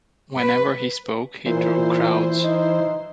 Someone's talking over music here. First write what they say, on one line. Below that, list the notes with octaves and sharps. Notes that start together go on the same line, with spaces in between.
Whenever he spoke, he drew crowds.
B4
A#2 E3 C5
D#4